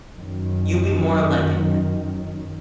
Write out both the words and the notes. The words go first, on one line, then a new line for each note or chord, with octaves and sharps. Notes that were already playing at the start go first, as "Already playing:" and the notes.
you'll be more like an e
F#2 D#3